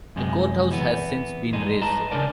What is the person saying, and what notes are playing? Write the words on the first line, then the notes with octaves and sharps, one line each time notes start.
The courthouse has since been razed.
F#2 C3 G#3
E3 B3
G2 G#3 D#4
B4 D#5 A5 A#5
C#3 E3 D4 A#4 D5